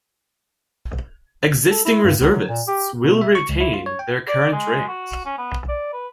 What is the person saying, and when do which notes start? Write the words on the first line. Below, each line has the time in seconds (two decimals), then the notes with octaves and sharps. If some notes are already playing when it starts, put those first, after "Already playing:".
Existing reservists will retain their current ranks.
1.71 A4
1.85 E4
2.04 G2
2.20 C#2
2.32 F#3
2.49 A#2
2.68 G4
3.04 B2
3.21 E5
3.35 C#6
3.49 C#2
3.60 E4
3.74 F4
3.86 C#5
3.99 G5
4.29 D5
4.53 G#3
4.88 F#4
5.26 C#4
5.38 B3
5.68 D5
5.93 B4